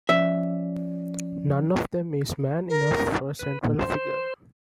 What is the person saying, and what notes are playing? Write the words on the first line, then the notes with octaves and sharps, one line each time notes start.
None of them is man enough for a central figure.
F3 C#4 D5 E5
A#4
B4
A#2
C5